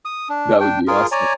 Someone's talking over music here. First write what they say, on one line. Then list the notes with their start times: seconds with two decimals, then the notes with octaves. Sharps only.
That would be awesome.
0.05 D#6
0.29 D4
0.60 D4 G5
0.88 F4 G#4 A#4
1.12 C#5 D5 G#5 A#5